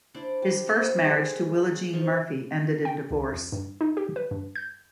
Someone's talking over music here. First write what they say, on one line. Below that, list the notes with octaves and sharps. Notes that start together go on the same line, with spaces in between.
His first marriage to Willa Jean Murphy ended in divorce.
D4 E4 C5 D5
G4 C6
B2 B3 C5
G#3 G4 G#4
F3 D#4 C6 C#6
G5
C#2
F2
G2
D#4
G4
B4
G2
G6